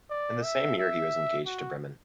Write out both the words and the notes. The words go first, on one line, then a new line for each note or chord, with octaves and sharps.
In the same year he was engaged to Bremen.
D5
E5
E5
F#4